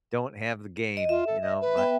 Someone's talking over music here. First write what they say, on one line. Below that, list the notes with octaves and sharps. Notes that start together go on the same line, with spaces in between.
don't have the game, you know, my
D#5
F4 E5
A4
D#5
B4
B3 E5 G5